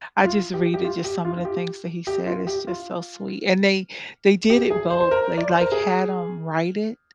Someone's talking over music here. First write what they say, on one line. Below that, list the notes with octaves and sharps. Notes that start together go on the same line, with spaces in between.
I just read it, just some of the things that he said, it's just so sweet and they they did it both. They, like, had him write it
F4
G4
G4
F4
G4
F4
F4
G4
G4
F4
G4
F4
G4
G#4
C5
C5
A#4
D5
C5
A#4
G#4